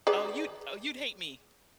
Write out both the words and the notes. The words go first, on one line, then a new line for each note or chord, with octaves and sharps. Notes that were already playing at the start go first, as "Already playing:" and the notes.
oh, you'd oh, you'd hate me.
G#4 B4 D5